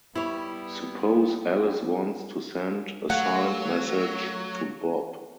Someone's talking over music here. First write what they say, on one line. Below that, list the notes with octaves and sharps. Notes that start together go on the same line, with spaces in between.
Suppose Alice wants to send a signed message to Bob.
G3 B3 E4 C#5
F#3 A3 F5 F#5